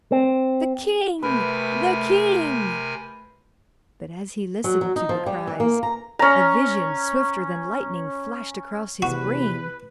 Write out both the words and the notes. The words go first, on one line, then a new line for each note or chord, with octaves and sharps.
'The king! the king!' but as he listened to the cries, a vision, swifter than lightning, flashed across his brain.
C4
C3 A3 A#4 B4 G#5
F#3
F#3
D#4
F3
G3
E3
A#3
A#5
C#4 A#5
E2 C3 F#4 B4